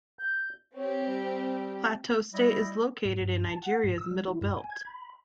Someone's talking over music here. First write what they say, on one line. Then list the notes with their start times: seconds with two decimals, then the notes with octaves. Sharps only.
Plateau State is located in Nigeria's middle belt.
0.19 G6
0.76 C4 G4 C#5
1.07 G3
2.34 G3 E4 D#5
3.05 G#2
3.21 G2
3.47 A5
3.62 F#5
3.84 G#2
3.98 E6
4.11 G3
4.27 E4
4.41 G2
4.57 G#5
4.70 G#6
4.85 B5